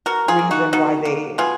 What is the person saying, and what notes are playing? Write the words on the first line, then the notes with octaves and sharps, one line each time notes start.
reason why they
B2 F#4 A#4
F4 G#4
A#3
D#4 F#4
B2 D#4 F#4
A#3
B2 F4 G#4